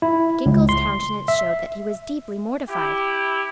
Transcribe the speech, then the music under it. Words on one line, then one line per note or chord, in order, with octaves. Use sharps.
Ginkell's countenance showed that he was deeply mortified.
E4
C#2
C6
E5
E4 G4